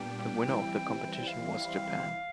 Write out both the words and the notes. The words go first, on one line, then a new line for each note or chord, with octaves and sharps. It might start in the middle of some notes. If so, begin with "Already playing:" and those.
The winner of the competition was Japan.
Already playing: A#2 G3 B3 D4 G4 G5
E3 G3 C4 E4
F5